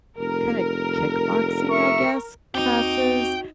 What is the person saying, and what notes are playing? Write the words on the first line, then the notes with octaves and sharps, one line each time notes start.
kinda kickboxing, I guess, classes,
F1 A#4
E5 C#6
D#2 C4 D#4 F#4 G5 D6